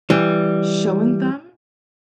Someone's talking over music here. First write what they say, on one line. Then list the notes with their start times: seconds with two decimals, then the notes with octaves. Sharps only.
showing them.
0.10 E3 G3